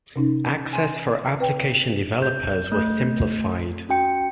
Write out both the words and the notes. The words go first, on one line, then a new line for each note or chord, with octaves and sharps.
Access for application developers was simplified.
C3 C#4 D#4
G#5 C6
C4 B4 G5
G6
A3 G6
C#4 F#4 G5 C#7